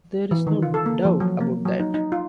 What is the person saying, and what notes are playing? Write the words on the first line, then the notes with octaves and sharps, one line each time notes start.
There's no doubt about that.
E3
D#3
F4
A4
A#3
F3
F#3
A#3
F#3
D#4
D#4
F4